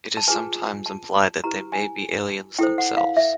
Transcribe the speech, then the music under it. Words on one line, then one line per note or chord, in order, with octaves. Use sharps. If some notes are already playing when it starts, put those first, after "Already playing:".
It is sometimes implied that they may be aliens themselves.
A5
F4 G#4 B4 G#5
A5
E4 G4 B4 A#5
G#5
E4 A4 C5 G5
F#5
F5
E5